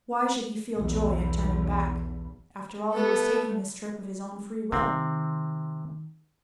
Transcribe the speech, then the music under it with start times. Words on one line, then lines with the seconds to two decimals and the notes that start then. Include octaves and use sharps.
Why should he feel joy at turning back? After all, he was taking this trip of his own free will.
0.76 B1 E2
2.95 A3 B3 A4
4.72 C3 D#3 C4